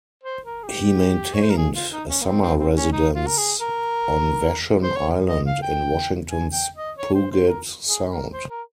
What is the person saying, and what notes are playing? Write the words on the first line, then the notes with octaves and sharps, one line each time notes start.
He maintained a summer residence on Vashon Island in Washington's Puget Sound.
C5
A#4
G#4
G4
C#5
C5
A#4
G#4
F4
D#4
C#4
A#3
C4
C4
C4
C#4
D#4
F4
A#4
G#4
A#4
C5
C#5
D#5
F5
G5
G#5
G5
D#5
C#5
C5
C5
A#4
G#4
A#4
C5
A#4